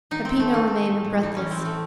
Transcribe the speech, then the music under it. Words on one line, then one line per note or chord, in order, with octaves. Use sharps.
Peppino remained breathless.
D#3 D#4
D#3 C4
A3
D#3
D#4
A3
A2
A2
E3 D#4
C#4
E3
C4
A2
A3